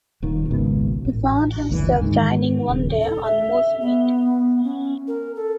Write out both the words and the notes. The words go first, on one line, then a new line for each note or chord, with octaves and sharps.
He found himself dining one day on moose-meat.
D#1 D#2 D#3
G#1 C#2 B2
A1
F#1 D2 C3 E3
G#2 D#3
D#1 C#3
A4
E5
B3
C#4
A#4
A4